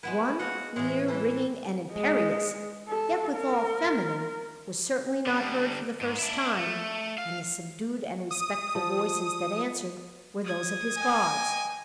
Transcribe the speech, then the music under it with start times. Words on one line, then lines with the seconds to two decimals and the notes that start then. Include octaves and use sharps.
One, clear, ringing, and imperious, yet withal feminine, was certainly not heard for the first time; and the subdued and respectful voices that answered, were those of his guards.
0.03 G#3 B3 E4 B4
0.39 F#4 D#5 F5
0.76 A2 E3 G#3
1.08 E3 A4
1.93 G#3
2.89 A4
3.35 A#4
5.26 D3 G3
6.01 G#2
6.19 D4 E4
6.57 A3
7.18 F5
8.31 D#6
8.75 F3
10.45 D#6 G#6
10.96 D#5 G5 G#5